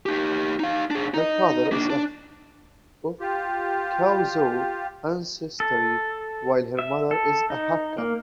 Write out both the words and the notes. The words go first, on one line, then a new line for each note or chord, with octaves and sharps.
Her father is of Chaozhou ancestry while her mother is a Hakka.
D#4 G4
D#4 F5
D4 G#4
D#4 D#5
A#3 D4
D4
F4 G4
A4
E5
A4
D#4
A#3